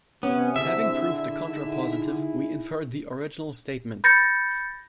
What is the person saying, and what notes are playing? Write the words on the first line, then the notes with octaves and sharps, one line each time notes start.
Having proved the contrapositive, we infer the original statement.
C3 B3 C#4
D3 E4 G#4 E5
D#4
B5 G6 A6 A#6 C#7